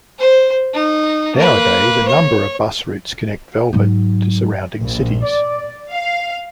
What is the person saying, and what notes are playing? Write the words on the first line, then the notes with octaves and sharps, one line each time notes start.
Nowadays a number of bus routes connect Velbert to the surrounding cities.
C5
D#4
A#3 B4
C#5
G#2 F#3
A#1
D5
F5